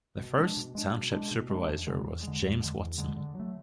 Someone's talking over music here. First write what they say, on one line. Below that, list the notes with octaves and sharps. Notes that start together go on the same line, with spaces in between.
The first Township Supervisor was James Watson.
B2
G#3 D4
B2
G#3 D4
B2
G#3 D4
B2
G#3 D4
E2
D3 G#3
E2
D3 G#3
E2
D3 G#3
E2
D3 G#3
D3
F#3 A3